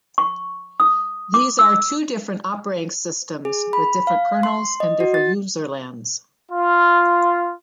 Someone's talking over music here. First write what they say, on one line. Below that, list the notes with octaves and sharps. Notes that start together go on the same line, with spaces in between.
These are two different operating systems with different kernels and different userlands.
C#6
D#6
D6
E6
G#4
B5
F5
C6
D#5
F#4
A6
F4